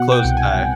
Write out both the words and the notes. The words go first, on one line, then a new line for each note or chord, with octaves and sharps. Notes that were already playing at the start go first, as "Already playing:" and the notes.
close, uh,
Already playing: B2 F#5
G5
C2
G#5